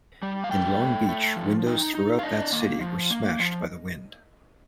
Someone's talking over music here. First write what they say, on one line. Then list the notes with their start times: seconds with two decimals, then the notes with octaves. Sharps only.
In Long Beach windows throughout that city were smashed by the wind.
0.23 G3
0.44 F5
0.51 A3 G5
0.79 A3
1.09 A3
1.37 F3
1.66 D#4
1.95 D#4
2.19 F5
2.23 D4 D#5
2.52 A#3
2.81 F3
3.10 A#3
3.39 F3